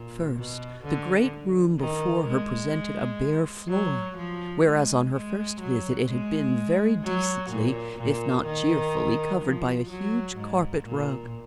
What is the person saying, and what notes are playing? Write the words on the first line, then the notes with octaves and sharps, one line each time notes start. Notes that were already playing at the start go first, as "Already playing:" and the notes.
First, the great room before her presented a bare floor, whereas on her first visit it had been very decently, if not cheerfully, covered by a huge carpet rug.
Already playing: A#2
B2
D3
D#3
G#3
F#3
F3
G#3
G#3
F#3
G#3
F#3
A#2
A#2
D#3
F3
F#3
G#2
A#2